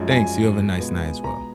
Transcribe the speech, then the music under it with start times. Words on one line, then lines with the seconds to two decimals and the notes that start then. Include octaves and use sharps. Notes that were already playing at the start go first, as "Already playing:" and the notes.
Thanks, you have a nice night as well.
Already playing: F#2 F3 G#3
0.10 G#5
0.78 B2 G#3 B3 F4
1.24 A#5